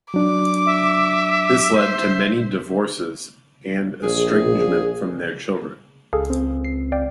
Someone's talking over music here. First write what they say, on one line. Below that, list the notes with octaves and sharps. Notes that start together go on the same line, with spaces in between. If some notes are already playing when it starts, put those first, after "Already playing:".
This led to many divorces and estrangement from their children.
F#3 D4 D6
E5
C5
A#1 G#4
C#2 G#4 A4 F5
C4
C7
D5 F5 G5